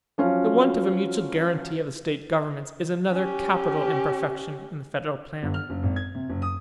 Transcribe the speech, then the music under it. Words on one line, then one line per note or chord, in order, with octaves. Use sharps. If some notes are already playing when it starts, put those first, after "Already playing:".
The want of a mutual guaranty of the State governments is another capital imperfection in the federal plan.
F3 F#3 C#4 F4 F#4
C#4 G4
G1
F6
F#1
G#1
G#6
C3
F#1
D#6